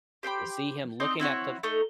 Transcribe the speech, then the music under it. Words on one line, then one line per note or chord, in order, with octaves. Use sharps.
you see him looking at the
G4 C5 G5 B5
C4 D#4 D5 D#5
C4 E4 F#4 C#5
A3 D#4